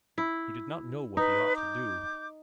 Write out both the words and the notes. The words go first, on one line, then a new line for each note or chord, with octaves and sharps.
He did not know what he ought to do.
E4
D#4 B4
D6 G6